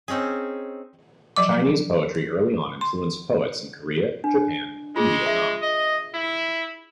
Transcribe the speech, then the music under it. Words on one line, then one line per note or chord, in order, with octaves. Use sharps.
Chinese poetry early on influenced poets in Korea, Japan, and Vietnam.
C4 C#4 D#4 G#4
F3 F#3 D6
C6
D4
G#3 F4 G#4
E5
D#5
E4